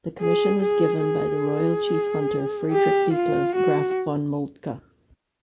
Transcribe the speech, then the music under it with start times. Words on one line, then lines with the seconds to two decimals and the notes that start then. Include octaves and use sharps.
The commission was given by the royal chief hunter Friedrich Detlev Graf von Moltke.
0.20 G#4
0.62 G#4
1.04 G#4
2.71 G4
3.13 F4
3.55 F#4